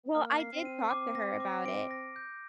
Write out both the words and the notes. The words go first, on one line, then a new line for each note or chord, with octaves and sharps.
Well, I did talk to her about it,
A#3 F6
C7
C4
D#7
C4 D6
A#6
D6
D7
A#6
G6